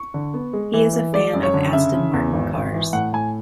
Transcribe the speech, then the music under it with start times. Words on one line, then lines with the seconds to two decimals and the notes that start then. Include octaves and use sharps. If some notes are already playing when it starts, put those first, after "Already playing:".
He is a fan of Aston Martin cars.
Already playing: C#6
0.14 D3
0.34 B3
0.53 G#3
0.73 E3
0.93 E3
1.13 G#3 D5
1.34 F#2
1.43 C#5
1.54 D3
1.73 C#3 E5
1.94 C#3
2.13 E2
2.33 G#1
2.54 G#1
2.73 E3
2.93 A2 F#5
3.13 A2 G#5